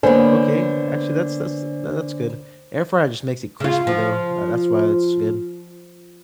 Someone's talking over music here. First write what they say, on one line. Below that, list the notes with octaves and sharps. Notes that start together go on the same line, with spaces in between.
Okay, actually, that's that's th that's good. Air fryer just makes it crispy, though, ah, that's why it's good.
D3 A#3 B3 C5 C#5 G#5
C#3 F4
F3